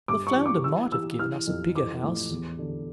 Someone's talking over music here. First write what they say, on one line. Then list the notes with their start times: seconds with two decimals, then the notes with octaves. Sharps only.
The flounder might have given us a bigger house.
0.08 G2 D6
0.27 C#6
0.35 E3
0.46 D6
0.64 E3 E6
0.91 E3 E6
1.19 E3 F6
1.47 F2
1.75 E3 D6
2.03 A2
2.30 E2
2.59 D3